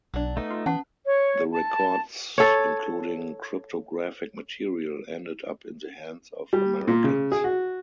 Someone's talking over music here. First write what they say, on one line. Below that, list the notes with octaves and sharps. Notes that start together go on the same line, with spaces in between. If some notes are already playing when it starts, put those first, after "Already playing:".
The records, including cryptographic material, ended up in the hands of Americans.
B1 F#3 D4
A3 B3 D#4
F4
E3 B3 C#4 F#5 A5
C#5
A5
A4 C#5
G3
A#2
C#3
G#4
F#4